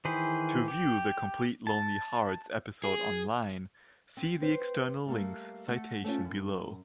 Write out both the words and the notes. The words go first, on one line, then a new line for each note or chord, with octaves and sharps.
To view the complete "Lonely Hearts" episode online, see the External links citation below.
D#3 E3 G#4 B4 C5
G4
A5
G#4
C4
C4 B4 C5
G3 A3 A#3
A3 F#5
A3 C4 C#4 F4
F#2